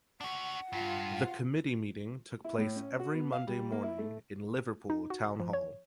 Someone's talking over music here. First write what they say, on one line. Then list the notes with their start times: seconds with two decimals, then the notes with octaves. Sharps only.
The Committee meeting took place every Monday morning in Liverpool Town Hall.
0.21 D4 F#4 F#5
0.73 G2 F4
2.44 E4
2.58 A2
2.76 C#4
2.99 F#4
3.14 B3
3.32 F5
3.47 G3
3.72 A#3
3.83 E4
3.98 A3
4.90 D#4
5.10 F#4
5.40 F3
5.53 C#5